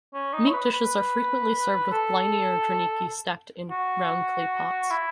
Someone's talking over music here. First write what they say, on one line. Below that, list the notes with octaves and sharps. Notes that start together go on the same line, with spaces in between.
Meat dishes are frequently served with bliny or draniki stacked in round clay pots.
C#4
D#4
C#5
B4
B4
A4
F#4
E4